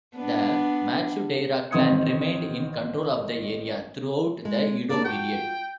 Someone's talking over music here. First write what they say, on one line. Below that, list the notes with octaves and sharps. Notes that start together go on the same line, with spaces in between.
The Matsudaira clan remained in control of the area throughout the Edo period.
B3 D4
A1 D#3 C4 D#6 G#6 C#7
G#3
A#3 D4 D5
F4 F#4 G5